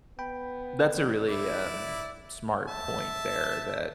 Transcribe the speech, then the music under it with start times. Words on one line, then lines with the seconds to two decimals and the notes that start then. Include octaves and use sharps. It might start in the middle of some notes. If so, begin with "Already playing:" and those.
That's a really, um, smart point there that
0.19 B3 G5 B5
1.28 E4 D5
2.68 E5 A5